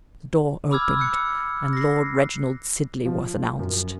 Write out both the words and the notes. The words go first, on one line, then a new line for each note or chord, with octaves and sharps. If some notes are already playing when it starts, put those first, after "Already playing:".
The door opened and Lord Reginald Sidley was announced.
B5 D6 E6 F6 G#6
E6 F#6 C#7
A#6 C7
F3
F#2